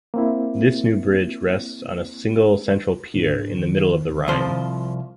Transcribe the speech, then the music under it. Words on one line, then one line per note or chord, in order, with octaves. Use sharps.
This new bridge rests on a single central pier in the middle of the Rhine.
A#3 C4 E4
G#2 D3 D4
D#3
C2 F3 C5